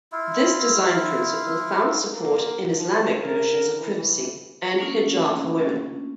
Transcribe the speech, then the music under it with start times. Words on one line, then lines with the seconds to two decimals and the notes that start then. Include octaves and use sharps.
This design principle found support in Islamic notions of privacy, and hijab for women.
0.12 E4 F4
2.11 A#3
2.76 F3
3.20 A#4
3.79 E3
4.78 A3 A#3 C#4 D4 F4